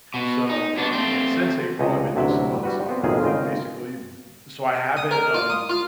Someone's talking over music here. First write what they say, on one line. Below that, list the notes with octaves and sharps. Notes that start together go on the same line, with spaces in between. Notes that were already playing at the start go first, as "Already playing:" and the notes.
so and and since April, I've been just nonstop working, basically, b b so, I haven't um,
B2
D#4
B2 D4
A3 C4
C#2 C3 C#5 D#5
A1 D2 C3 F#3 E5
G3 F#4 B4
B3 C4
B1 F2 A2 D#3 F4 G#4
G#1 C#3 F4 D#5 F5 G5
D#6
A#4
F4
D#6
F4